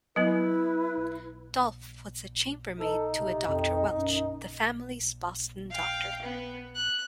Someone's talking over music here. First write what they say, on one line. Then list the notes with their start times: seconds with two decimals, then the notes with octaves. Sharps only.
Dolph was the chamber maid to a Doctor Welch, the family's Boston doctor.
0.16 F#3 B3 E4 B4
2.80 D#4 A4
3.13 C3
3.47 F2
3.91 F#2
5.71 F5 G5
6.22 B3
6.75 F#6